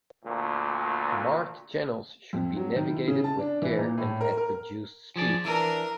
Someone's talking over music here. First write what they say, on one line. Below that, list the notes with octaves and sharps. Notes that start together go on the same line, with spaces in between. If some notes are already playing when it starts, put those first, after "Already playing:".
Marked channels should be navigated with care and at reduced speed.
D2 A#2
F2
F#3
D#3
E4
C#3
A5
D4
E3
A#2
A2
A#4
A#4
F3 G#4 D5
E3 D4 A#4